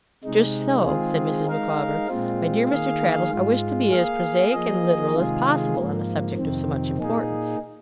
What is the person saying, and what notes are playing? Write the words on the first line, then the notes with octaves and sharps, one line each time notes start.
'Just so,' said Mrs. Micawber, 'my dear Mr. Traddles, I wish to be as prosaic and literal as possible on a subject of so much importance.'
C3 G#3 D#4
D#3 G#3 C4 F4 G#4
G#3 D#4 A#4 F5
A#2 G#3 C4 F4
D#3 A#3 G#4 F5
G#2 G#3 F4
A#3 G#4 F5
F3 A#3 G#4 D#5
C3 D#3 G#3 F4 G#4
G#2 F3 A#3
F2 C3 D#3 C4
A#2 A#3 D#4 G#4